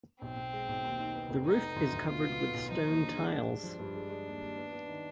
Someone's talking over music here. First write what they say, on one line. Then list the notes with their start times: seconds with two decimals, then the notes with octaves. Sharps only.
The roof is covered with stone tiles.
0.22 B1 C4
0.36 B1
0.53 G#3
0.69 B1
0.84 D#2
0.99 D#3
1.15 B3
1.30 F1
1.45 B3 D#4
1.61 B3
1.76 D2
1.92 D2
2.08 B2 F4
2.24 B3
2.40 B3
2.54 B1
2.70 F3 D#4
2.86 D#2
3.02 D3
3.17 G#3
3.33 G2 D4
3.48 G#3
3.63 F3
3.79 G2
3.95 G#3
4.10 G#3
4.26 D#2
4.41 D#2
4.57 B3
4.72 B3
4.88 D#3